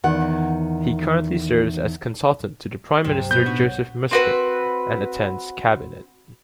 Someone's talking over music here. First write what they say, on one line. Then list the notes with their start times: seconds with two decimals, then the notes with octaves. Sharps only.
He currently serves as consultant to the Prime Minister Joseph Muscat and attends Cabinet.
0.04 E2 D#3 F#5
3.04 C#2 G2 C3 F#3
3.31 B2 G6
3.46 A2 D4 D#4 F#4
3.63 B1 C#5
4.11 C4 F#4 B4